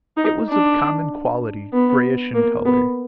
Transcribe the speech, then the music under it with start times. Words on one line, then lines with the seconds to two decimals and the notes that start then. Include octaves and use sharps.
It was of common quality, grayish in colour.
0.17 D#4
0.49 D4
1.73 B3
2.34 A#3
2.65 B3